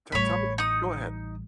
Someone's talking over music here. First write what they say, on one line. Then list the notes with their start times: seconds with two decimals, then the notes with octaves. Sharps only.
Te tell me go ahead.
0.12 A1 G3 C#5 B5
0.58 D#4 D#6